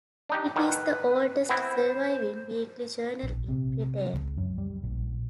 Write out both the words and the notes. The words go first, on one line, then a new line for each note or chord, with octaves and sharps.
It is the oldest surviving weekly journal in Britain.
D4 D#4 G4
D3 D#3 B4
B3 C4 E4 C5
A#1
C3
C#2
F#2
G3
A#1